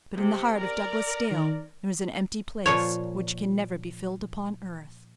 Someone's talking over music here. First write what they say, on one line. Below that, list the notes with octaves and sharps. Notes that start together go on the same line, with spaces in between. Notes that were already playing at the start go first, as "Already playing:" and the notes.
But in the heart of Douglas Dale there is an empty place which can never be filled upon earth.
C3
A#4 D5
D#3
A#2 F3 C#5